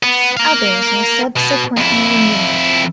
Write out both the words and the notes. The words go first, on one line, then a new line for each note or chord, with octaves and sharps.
Others were subsequently removed.
B3
A#4 F5
B2
F2 E4